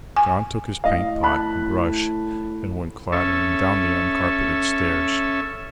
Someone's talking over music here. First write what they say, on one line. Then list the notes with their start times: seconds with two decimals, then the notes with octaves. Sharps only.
John took his paint pot and brush and went clattering down the uncarpeted stairs.
0.17 G#5
0.84 A2 D#5 F5
1.23 A5 B5 F#6
3.12 C#4 A4 E5